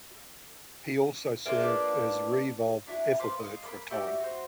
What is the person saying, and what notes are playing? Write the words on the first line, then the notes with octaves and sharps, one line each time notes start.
He also served as reeve of Ethelbert for a time.
A#3 D4 F4 G#4 E5
B4 D6
D4 E4 F#4
F4 B4 C5 D6
D#5 F5
A#3 B5
E4 F#4 G4 D5
F#4 C5